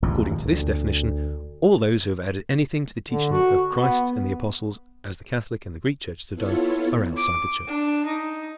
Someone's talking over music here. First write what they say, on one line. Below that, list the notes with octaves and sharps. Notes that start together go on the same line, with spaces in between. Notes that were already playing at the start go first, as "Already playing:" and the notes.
According to this definition all those who have added anything to the teaching of Christ and the apostles, as the Catholic and Greek churches have done, are outside the Church.
D#1 A1 E2 F3
D2
D3
F#4
B3
B3 E4 F4 A4 C#5
D6
D4
D#4